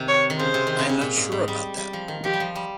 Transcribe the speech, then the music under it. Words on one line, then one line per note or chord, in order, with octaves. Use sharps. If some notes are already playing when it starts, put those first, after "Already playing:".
I am not sure about that.
Already playing: C3 D#3
C#5
D#3
C#3 C5
C3
D#3
C#3
C3
A#2
G#2
G#2
G3
G3
F3
D#3
F3 G4
G3
F3
G3